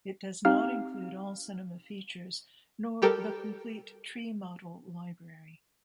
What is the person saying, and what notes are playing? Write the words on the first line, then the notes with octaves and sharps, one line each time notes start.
It does not include all Cinema features, nor the complete Tree Model Library.
C4 D#4 G4 F5 F6
G3 G4 A4 A#4